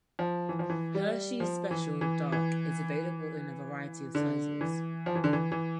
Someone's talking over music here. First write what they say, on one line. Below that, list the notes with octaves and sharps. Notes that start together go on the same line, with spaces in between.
Hershey's Special Dark is available in a variety of sizes.
F3
E3
F3
E3
G3
F3
E3
E3
E3
D3
E3
F3
E3
D3
E3
E3